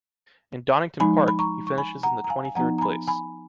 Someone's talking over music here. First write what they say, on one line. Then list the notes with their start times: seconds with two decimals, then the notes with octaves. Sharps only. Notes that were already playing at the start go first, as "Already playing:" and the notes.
In Donington Park, he finishes in the twenty-third place.
1.00 F3 G#3 D#4 G#5 B5
1.28 B5
1.39 A#5 C#6
1.67 C#6
1.78 G#5 B5
2.03 F#5 A#5
2.24 A#5
2.30 F5 G#5
2.45 G#5
2.55 F3 B3 D#4 F#5 A#5
2.78 A#5
2.81 G#5 B5
3.08 G#5 B5